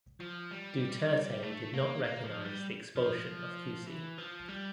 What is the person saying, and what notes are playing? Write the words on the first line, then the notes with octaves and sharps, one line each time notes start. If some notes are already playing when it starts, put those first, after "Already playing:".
Duterte did not recognize the expulsion of Cusi.
F3
G3
A3
A#3
A#3
F3
G3
F3
E3
F3
G3